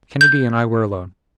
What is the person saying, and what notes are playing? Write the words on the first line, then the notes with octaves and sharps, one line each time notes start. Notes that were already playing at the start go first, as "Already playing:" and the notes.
Kennedy and I were alone.
G6